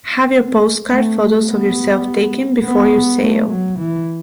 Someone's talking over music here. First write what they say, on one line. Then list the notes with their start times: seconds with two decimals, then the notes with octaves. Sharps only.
Have your postcard photos of yourself taken before you sail.
0.90 A3
1.47 B3
2.63 B3
3.21 A3
3.51 F#3
3.79 E3